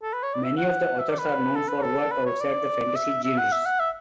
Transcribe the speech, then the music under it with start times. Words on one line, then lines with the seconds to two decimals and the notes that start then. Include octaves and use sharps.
Many of the authors are known for work outside the fantasy genres.
0.03 A4
0.13 B4
0.23 C#5
0.34 D5
0.44 E5
0.57 F#5
0.99 E5
1.09 D5
1.18 B4
1.56 A4
1.69 B4
1.82 A4
2.12 B4
2.26 C#5
2.40 D5
2.96 E5
3.24 E5
3.38 F#5
3.52 E5
3.66 F#5
3.80 E5